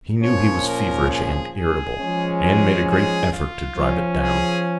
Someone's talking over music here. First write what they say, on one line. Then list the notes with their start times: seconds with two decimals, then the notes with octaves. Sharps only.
He knew he was feverish and irritable, and made a great effort to drive it down.
0.22 A#2 F3 C#4 C#5
0.66 A#4
1.10 G#4
1.56 G#4
2.00 F3 G#3 C#4
2.43 G#4
2.88 G#4
3.33 F4
3.76 F3 C#4
4.21 G#4